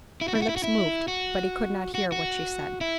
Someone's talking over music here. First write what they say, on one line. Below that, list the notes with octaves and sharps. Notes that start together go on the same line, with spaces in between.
Her lips moved, but he could not hear what she said.
E4
F#4
E4
F#4
E4
F#4
E4
F#4
F#4
F#4
E4